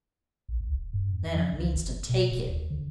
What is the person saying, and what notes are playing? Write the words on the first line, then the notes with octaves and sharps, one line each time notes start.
"Then I means to take it."
A#1
C#2
D#1
G2
F2
F3
C#2
F#1
B2
D#1
D#2
D3